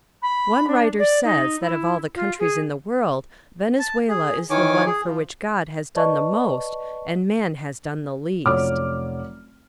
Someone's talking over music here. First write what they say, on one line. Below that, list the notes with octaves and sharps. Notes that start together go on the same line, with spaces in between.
One writer says that of all the countries in the world Venezuela is the one for which God has done the most and man has done the least.
B5
D4
D5
D#4
E4
F4
G#4
A5
G#4
D#3 E3 C#5 G#5 D6
G#4
F3
B4 D5 D#5 A5 C#6
F1 F#3 C#4 F4 D6 F6